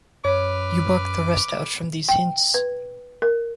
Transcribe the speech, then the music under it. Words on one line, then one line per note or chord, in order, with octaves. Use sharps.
You work the rest out from these hints.
F#2 B4 C#5 D6 F6
G5
B4
A#4